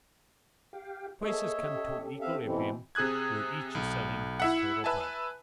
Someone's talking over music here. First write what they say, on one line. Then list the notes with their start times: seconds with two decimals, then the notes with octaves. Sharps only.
Prices come to equilibrium where each is selling his total product.
0.73 G4 F5 G5
1.22 A#3 G#4 A4 C#5 D#5 E5
1.63 C#4 G4 A4
2.21 C4 E5 F5
2.44 B2 E3 C4
2.95 C3 G#4 D#6 F#6 G#6
3.75 B1
4.40 E4 E5 F#5
4.84 B4 E5 G#5 A5